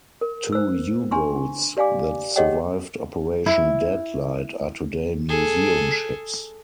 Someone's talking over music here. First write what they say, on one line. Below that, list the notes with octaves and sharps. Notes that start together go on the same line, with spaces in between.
Two U-boats that survived Operation "Deadlight" are today museum ships.
A#4
C5 E6
D4 G#5 C6 C#6
G4 D5 F5 G#5 D6
G4 G#4 C#5 D#5 F#5 G5
E4
G#4 A4